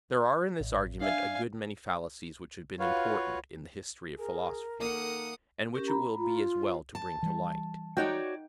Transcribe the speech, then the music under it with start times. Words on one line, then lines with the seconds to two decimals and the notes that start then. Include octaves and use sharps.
There are in this argument a good many fallacies which have been important in the history of philosophy, and which it will be as well to bring to light.
0.60 A1
1.01 D4 D5 E5 F5 G#5
2.80 F4 F#4 B4 C#5 F5
4.19 G#4 A#4
4.80 D#3 A#3 A4 F#5 D#6
5.75 C#4 G4 A#4
5.88 A#5 B5
6.18 F4
6.37 C6
6.66 C5
6.95 A5
7.23 E3 G3
7.97 D#4 F#4 C#5 D5 F#5 G5